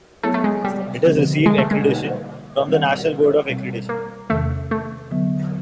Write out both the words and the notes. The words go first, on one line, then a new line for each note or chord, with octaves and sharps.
It has received accreditation from the National Board of Accreditation.
F#3 A3 B3 E4 G#4 C#5
A3
G#3
G3
D3 F3 G#3 C4
G#3
A3
G#3
B2 G3 A#3 D#4 G#4
D#3 G3 C4
B2 G3 C4
A#3
E2 C3 D#3 A3
A3
D3 F#3 B3